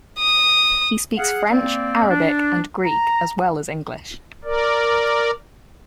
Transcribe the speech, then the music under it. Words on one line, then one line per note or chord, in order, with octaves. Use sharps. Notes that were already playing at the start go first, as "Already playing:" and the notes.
He speaks French, Arabic, and Greek as well as English.
D#6
G#4 F5 F#5
A#3 C4 D5
D4
A#5
A#4 D5